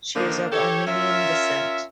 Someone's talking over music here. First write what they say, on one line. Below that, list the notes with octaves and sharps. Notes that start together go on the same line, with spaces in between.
She is of Armenian descent.
D3 D#3 F3 A#3 D4 D#4
G4 A4 C#5
C#4 F4 A#4 E5